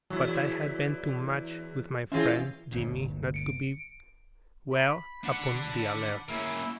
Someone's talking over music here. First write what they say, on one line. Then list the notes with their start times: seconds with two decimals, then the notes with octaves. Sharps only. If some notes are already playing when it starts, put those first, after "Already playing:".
But I had been too much with my friend Jimmy not to be well upon the alert.
0.10 E2 F#3 E4
2.12 E3 C4 C#4 F4 G#4 E5
2.72 G1 D2 A#2
3.34 C#7 D7
4.71 B5
5.24 D4 F#5
6.29 A#3 C#4 E4 E6